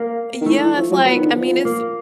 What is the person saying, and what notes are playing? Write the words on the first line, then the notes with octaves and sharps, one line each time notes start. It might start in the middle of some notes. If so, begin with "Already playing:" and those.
Yeah, it's like, I mean, it's
Already playing: A#3
D#3
E3 A3
E3
F3
F#3
F3 B3
D#3
D3
F3
A#3